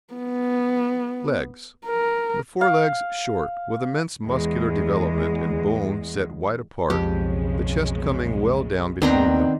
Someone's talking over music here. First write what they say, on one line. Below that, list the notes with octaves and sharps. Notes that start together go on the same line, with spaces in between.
LEGS--The fore-legs short, with immense muscular development and bone, set wide apart, the chest coming well down between them.
B3
A#4
F5
E2 G#3
B1 F2 C#3 G#3 G4
D#2 D#3 B3 C4 D4 A#5 C6